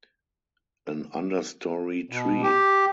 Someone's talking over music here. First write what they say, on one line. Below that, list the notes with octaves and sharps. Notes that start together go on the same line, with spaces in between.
An understorey tree.
B2
G4